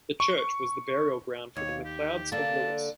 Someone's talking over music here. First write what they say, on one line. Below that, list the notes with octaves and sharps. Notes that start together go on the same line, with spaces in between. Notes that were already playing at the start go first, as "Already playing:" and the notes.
The church was the burial ground of the MacLeods of Lewis.
C#6
D#2 C#5
G4
D3 A#3 A5